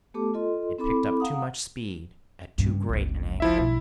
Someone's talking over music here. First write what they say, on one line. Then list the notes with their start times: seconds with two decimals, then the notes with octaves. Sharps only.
It picked up too much speed at too great an angle.
0.14 A3 B3 G4 A4 A5 D6
0.34 F4 A4 D#5 C6
0.78 C4 E4 A4 B5 D6
1.20 F5 F#5 A#5 D#6
2.58 G2 C#3
2.89 G1 C#2
3.40 F3 E4 E5
3.59 B1 G2 E4